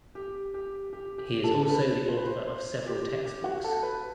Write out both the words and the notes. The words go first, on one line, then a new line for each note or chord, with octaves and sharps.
He is also the author of several textbooks.
G4
G4
G4
G4
A4
A4
B4
C5
B4
C5
C5
G4
G4
F#4
A4
B4